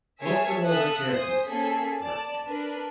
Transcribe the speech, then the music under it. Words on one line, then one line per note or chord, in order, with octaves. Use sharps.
"Look them over carefully," directed he.
G#4 A#4 C#5 E5 A5
A4 E5 F5 D#6 F#6 B6
C5 G#5 D#6
A#3 C#4 G#4 A4 B6
D5 A5
D4 A#4 B4